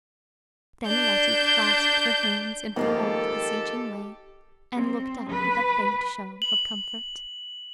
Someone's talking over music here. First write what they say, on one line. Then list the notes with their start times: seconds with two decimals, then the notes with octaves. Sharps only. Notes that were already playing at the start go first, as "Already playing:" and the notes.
Then Letty clasped her hands in her old, beseeching way, and looked up with a faint show of comfort.
0.86 D4 G6
2.76 F2 G#2 D#3 G#3 A#3 F4 G4 A4
4.74 C4
5.30 B4
6.42 F#7